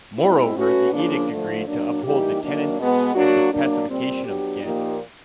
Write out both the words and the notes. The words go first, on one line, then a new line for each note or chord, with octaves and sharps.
Moreover, the edict agreed to uphold the tenets of the Pacification of Ghent.
B2 G#3 C4 E4
A3 C#4 F#4 B4
C#3 F3 A#3 D4
D3 F3 A3
F#3 A#3 D4
E3 G3 A#3 D#4 G4
D#3 F#3 A#3 D4
B2 G#3 B3
F#3 A#3 D4 F#4
F#3 A#3 D4
A#2 G3 C4
F#3 B3 D4 G4
A#2 F3 A#3 D#4 G4